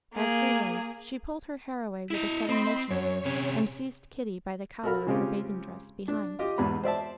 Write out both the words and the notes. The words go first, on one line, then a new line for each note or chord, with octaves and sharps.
As they rose, she pulled her hair away with a sudden motion, and seized Kitty by the collar of her bathing-dress, behind.
A#3 G#4
E4 D#5
C4 D#5 B5 C6
F#2 C#5
C3 C#4
F#4 A4 A#4 F5 B5 F6
C#3 G#3 C4 C#4 F4 G4
D4
F4 G4 D#5
E2 G#2 B3 B5
C5 D5 E5 A5